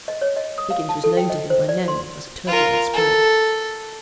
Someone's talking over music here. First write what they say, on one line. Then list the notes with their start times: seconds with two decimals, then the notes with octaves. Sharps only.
Higgins was known to him by name as a turbulent spirit.
0.08 D#5
0.21 C#5
0.37 D#5
0.58 D#6
0.70 F5
0.89 A5
1.04 A4
1.17 G5
1.30 D#5
1.50 C5
1.69 D5
1.88 C6
2.47 F4 A#4
2.94 A4